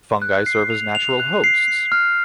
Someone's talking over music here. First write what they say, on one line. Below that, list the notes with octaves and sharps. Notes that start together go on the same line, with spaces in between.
Fungi serve as natural hosts.
F#6
C7
F7
F7
F#6
C7
C7
F6